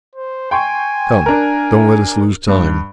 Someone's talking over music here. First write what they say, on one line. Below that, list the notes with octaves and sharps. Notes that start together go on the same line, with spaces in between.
Come, don't let us lose time.
C5
G5 G#5 C6 C#6
D4 A#4
G2